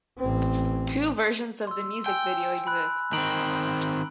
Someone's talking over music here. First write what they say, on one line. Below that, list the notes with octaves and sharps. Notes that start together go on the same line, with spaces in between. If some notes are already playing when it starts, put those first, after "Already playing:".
Two versions of the music video exist.
A1 C4
C6 E6
G5 G#5 E6
B5 F#6
D#3 C4 A#5 D7 F#7